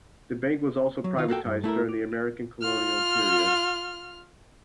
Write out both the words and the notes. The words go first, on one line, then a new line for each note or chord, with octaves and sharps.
The bank was also privatized during the American colonial period.
F#3
D#3 F4
A#3 F#4 A4 G5
G2
A3 E4 A4 A#4
F4 F6